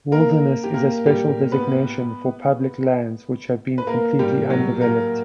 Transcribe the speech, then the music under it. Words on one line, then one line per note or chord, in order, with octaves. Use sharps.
Wilderness is a special designation for public lands which have been completely undeveloped.
A#3 A#4
G4
A#3 A#4
G3 G4
B3 B4
B4
A#3 A#4
G3 G4
F#3 F#4
A#3 A#4